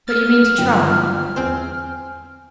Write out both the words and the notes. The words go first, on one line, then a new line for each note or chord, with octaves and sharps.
"But you mean to try?"
E6 F6 A6
G1 F#3 G5
E2 C4 C5 G#5